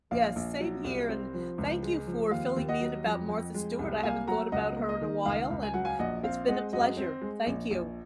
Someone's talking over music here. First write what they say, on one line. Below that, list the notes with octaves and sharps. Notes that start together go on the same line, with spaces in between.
Yes, same here, and thank you for filling me in about Martha Stewart. I haven't thought about her in a while, and it's been a pleasure. Thank you.
A#1 F5
A#1
F#3
C2
C4
F3
C#2
G#3
F3
D#2 F5
D#2
D#5 F#5
F#3
F2
F2
G#3
C2
A#3 F5 G#5
F#3 F#5 A#5
C#2 D#5 F#5
A#3
D#5
D#3
C#2 F5
C#2
G#5
F#3 F#5
F5 G#5
A#1 D#5 F#5
C4 F5
G#3 D#5 F#5
F#2 D#5 F#5
C4
G#3
A#1
A#1